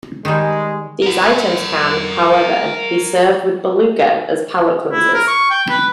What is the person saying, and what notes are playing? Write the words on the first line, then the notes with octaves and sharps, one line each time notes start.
These items can, however, be served with Beluga as palate cleansers.
D#3 G3 G#3
A#4 F#5
E4
A#4
C#6
G5
B4